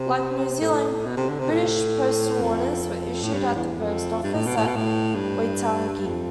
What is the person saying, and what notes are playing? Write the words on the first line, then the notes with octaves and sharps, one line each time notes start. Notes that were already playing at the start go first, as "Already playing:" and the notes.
Like New Zealand, British postal orders were issued at the post office at Waitangi.
Already playing: C3
A2
B2
C3
D3
C3
A2
F2
A2
G2
E2
F2
G2
A2
B2
A2
B2
A2
G2
F2